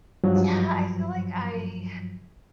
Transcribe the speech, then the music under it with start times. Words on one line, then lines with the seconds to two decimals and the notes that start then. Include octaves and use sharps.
Yeah. I feel like I
0.24 G2 F3 F#3